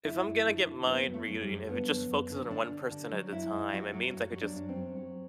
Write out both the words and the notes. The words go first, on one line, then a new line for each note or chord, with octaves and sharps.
if I'm gonna get mind reading, if it just focuses on one person at a time, it means I could just
F#2 E4
F#2
D3
D3
F#2 B3
F#2 B3
A3
F#2
G3
F#2
D3 B3
F#2
F#2
D3
D3 D4
D3
D3
F#3
F#2 E4
F#2
F#2 F#4
F#3
F#2
F#3
D4
F#2
C4
F#3
F#3